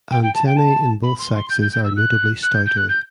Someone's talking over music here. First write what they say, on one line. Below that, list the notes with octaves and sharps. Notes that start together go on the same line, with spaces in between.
Antennae in both sexes are notably stouter.
G5
G5
A5
G5
A5
B5
C6
C6
G6
G6
G6
E6
F#6
F#6
G6
G6
F#6
G6